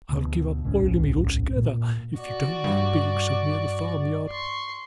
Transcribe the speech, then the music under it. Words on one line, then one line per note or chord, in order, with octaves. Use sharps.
I'll give up Oileymead altogether, if you don't like being so near the farm-yard.
D2 B2
D1 B1 G#2 C#4
A#2
F#4 D5
G2
C6 C#6